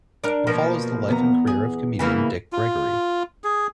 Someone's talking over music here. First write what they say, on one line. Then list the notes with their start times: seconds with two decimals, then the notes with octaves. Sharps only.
It follows the life and career of comedian Dick Gregory.
0.24 D4 A#4
0.47 B2 F3 A#3
1.09 E2 B3 A#5
1.47 G#4
1.99 C#3 E3 A#3
2.53 F4
3.44 G#4